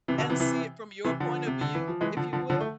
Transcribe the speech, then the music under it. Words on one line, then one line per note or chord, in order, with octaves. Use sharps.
and see it from your point of view, if you will.
C3 E3
B2 D3
C3 E3
C3 E3
C3 E3
D3 F3
C3
D3
E3
F3
E3 G#3
D3 F3
D3 F3
D3 F3
A3